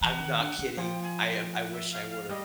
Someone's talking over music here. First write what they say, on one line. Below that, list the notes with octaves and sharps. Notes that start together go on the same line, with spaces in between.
I'm not kidding. I am I wish I were.
E3 F#5 G5
D#3
D3
C#3
F3 G5 G#5
G#5
G5
F#5
E5
F5
F5
G3 D#5